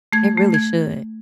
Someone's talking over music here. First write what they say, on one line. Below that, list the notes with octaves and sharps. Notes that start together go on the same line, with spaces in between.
It really should.
A3 G#6
A3
G#6